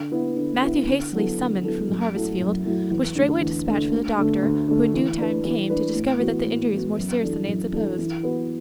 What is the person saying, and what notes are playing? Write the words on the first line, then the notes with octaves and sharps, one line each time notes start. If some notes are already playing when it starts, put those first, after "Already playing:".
Matthew, hastily summoned from the harvest field, was straightway dispatched for the doctor, who in due time came, to discover that the injury was more serious than they had supposed.
Already playing: D3
B3 E4 B4
D3
B3 E4 B4
D3
F#3 B3 E4 A4
D3
F#3 B3 E4 A4
F#2
F#3 A3 E4 A4
F#2
F#3 A3 E4 A4
E2
D3 A3
E2
D3 A3
D2
D3 A3
D2
D3 A3
E3
D4 B4
E3
D4 B4
A2
E3 B3 F#4
A2
E3 B3 F#4
F#2
E3 D4 A4
F#2
E3 D4 A4
E3
B3 F#4 B4